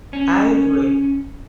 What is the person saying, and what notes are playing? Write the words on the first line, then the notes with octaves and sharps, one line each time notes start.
I agree.
C#4